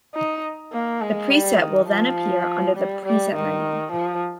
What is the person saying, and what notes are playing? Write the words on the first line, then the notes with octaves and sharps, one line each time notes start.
The preset will then appear under the preset menu.
D#4
A#3
G#3
G3
D#3
F3
G3
G3
D#3
F3